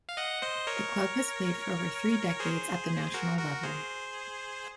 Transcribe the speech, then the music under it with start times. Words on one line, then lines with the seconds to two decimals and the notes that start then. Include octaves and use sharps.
The club has played for over three decades at the national level.
0.09 F5
0.17 D#5 F#5
0.42 C5 D#5
0.67 A#4 C#5
2.40 G#4 C5
3.14 F#4 A#4
3.39 F#4 A#4
3.63 G#4 C5